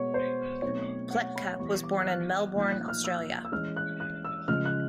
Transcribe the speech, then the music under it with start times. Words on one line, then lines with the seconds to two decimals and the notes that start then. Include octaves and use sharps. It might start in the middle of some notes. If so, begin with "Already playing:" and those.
Pletka was born in Melbourne, Australia.
Already playing: B2 G#3 B3 C#5
0.14 C5
0.62 B2 F#3 A3 C4 D#4 C#5
1.11 F#5
1.36 B5
1.59 E3 G3 B3 C#6
1.84 D6
2.01 F#6
2.08 F6
2.56 A#2 F3 A#3 D#4 G6
2.72 F#6
2.88 F6
3.04 E6
3.45 E6
3.52 E3 G#3 C#4 F6
3.76 F#6
4.00 F#6
4.25 E6
4.48 C#3 F3 G#3 F6
4.65 F#6